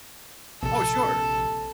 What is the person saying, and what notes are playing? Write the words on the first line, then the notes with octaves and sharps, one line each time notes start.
Oh, sure.
A#1 C3 A4